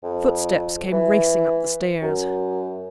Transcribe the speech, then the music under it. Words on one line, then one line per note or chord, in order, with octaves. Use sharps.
Footsteps came racing up the stairs.
F2
E3
F#2